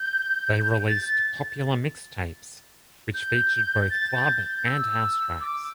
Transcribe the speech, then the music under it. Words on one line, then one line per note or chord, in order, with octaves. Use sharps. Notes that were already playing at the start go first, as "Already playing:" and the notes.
They released popular mixtapes which featured both club and house tracks.
Already playing: G6
A6
G6
A6
G6
G6
E6
D6